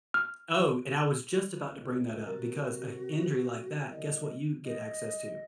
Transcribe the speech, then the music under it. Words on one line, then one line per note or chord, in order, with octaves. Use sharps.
Oh, and I was just about to bring that up, because a injury like that, guess what you get access to?
F6
C#2
C3 F#4 A#4 F#6 A6
C2 D#5
D#5